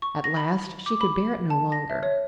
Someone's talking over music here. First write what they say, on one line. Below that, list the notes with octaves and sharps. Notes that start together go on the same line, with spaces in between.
At last she could bear it no longer.
C#6
A#6
B5
D6
B5
A5
A#6
E5
C#5